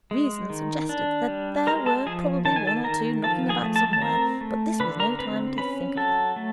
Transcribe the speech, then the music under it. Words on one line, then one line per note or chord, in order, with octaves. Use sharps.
Reason suggested that there were probably one or two knocking about somewhere, but this was no time to think of them.
G#3
D#3
D4
G3
G#3 A#4 A#5
A4 A5
F3 G#4 G#5
D#3 A5
G#5
A4 A5
D#3 A#4 A#5
F3 A4 A5
G#4 G#5
A3
A4 A5
A5
C4 A#4 A#5
A3
D3 B4 B5
A#4 A#5
C4 B4 B5
C#4 B4 B5
F#3 A4 A5
A3